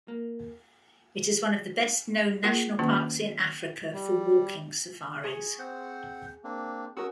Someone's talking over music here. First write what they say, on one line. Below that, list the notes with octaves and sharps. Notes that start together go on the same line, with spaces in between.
It is one of the best-known national parks in Africa for walking safaris.
A#3
A#3 F4 G#4 A#4
D#3 F#3 A#3 C#4 F4
G3
G#4 C#6
C4 C5 F#5
A#3 C4 D4
C#4 F#4 A#4 D#6 E6